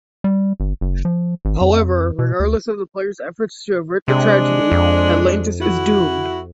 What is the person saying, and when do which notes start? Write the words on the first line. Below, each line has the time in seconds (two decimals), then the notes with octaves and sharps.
However, regardless of the player's efforts to avert the tragedy, Atlantis is doomed.
0.24 G3
0.60 G1
0.81 F#1
1.05 F3
1.45 G#1
1.61 F2
2.19 B2
2.40 D2
4.08 C3 G#3 D4
4.72 F2
5.60 E4 F#4